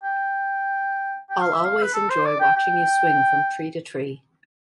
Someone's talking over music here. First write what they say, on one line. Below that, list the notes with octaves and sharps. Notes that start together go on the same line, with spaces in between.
I'll always enjoy watching you swing from tree to tree.
G5
G5
F5
E5
F5
B4
A4
C5
D5
G5
G5